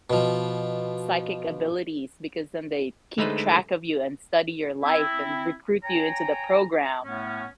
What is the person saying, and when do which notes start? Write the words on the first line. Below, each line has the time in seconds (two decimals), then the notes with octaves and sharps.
psychic abilities, because then they keep track of you and study your life, and recruit you into the program."
0.10 B2 F3
3.18 D3 G#3 A3 D#4 B4 C5
4.83 C4 E4
5.83 C#5 G5 G#5 A#5
7.03 A2 A3 B3 C#4